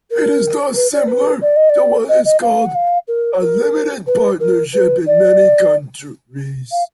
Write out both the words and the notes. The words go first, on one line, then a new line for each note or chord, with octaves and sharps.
It is thus similar to what is called a limited partnership in many countries.
A#4
B4
D5
B4
D5
D#5
D5
D#5
D#5
F5
F#5
F5
A#4
A#4
B4
A#4
B4
D5
F5